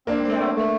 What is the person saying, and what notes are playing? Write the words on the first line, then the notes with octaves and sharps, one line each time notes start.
yeah, with
A#3 C4 D4
C4
A3
A3